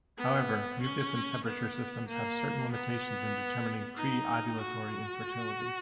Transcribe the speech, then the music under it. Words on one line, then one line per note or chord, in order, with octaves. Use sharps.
However, mucus and temperature systems have certain limitations in determining pre-ovulatory infertility.
B3
C#4
B3
A#3
B3
D#4
F#4